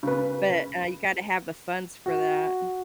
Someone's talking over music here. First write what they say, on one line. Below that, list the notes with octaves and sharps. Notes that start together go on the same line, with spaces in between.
but uh you gotta have the funds for that.
C#3 B4
F#4